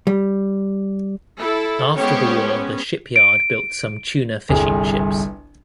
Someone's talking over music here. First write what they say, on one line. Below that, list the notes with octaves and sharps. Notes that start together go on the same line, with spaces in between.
After the war the shipyard built some tuna fishing ships.
G3
E4 A4
G#3 B3 C#4 G4 C5 C#5
D7
G1 C2 G#4